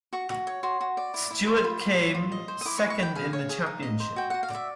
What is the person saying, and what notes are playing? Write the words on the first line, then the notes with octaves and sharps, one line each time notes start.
Stewart came second in the championship.
F#4 C#6
F#4
C#5
F#4 C6
F#4
D5
E4
E4
C5
C6
F4 B5
F4
C#5
F4
D#5
C5
D#6
E4 D6
C#6
E4
C#6
B4 G5
G#4 F5
C#5
G#4
D#4
D#5
C5
F#4 G5
F#4 F#5
F5
D5 E5